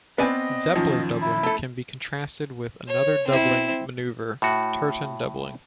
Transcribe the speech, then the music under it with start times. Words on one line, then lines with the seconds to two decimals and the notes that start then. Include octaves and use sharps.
Zepler doubling can be contrasted with another doubling manoeuvre, Turton doubling.
0.18 B3 C4 B4 D5 D#5 G#5
0.75 F#2 D#3 F3
1.21 E4
1.43 A3 A4
2.87 C#5
3.27 C4 E4
4.42 A2 F#4